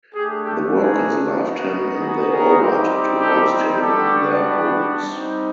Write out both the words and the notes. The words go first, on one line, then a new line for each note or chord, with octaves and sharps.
The workers loved him and they all wanted to host him in their homes.
A3 D4 G4 G#4
G4 A4
G#4 A#4
B3 D#4 F#4
G#4
G#4 A#4
G3 C4 D#4 G4
G4 A4
G3 B3 D4 F#4 G4 A4
G3 C4 D#4